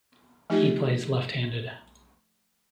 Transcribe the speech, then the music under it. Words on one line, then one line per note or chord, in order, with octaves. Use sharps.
He plays left-handed.
F3 A3 D#4 F4 G4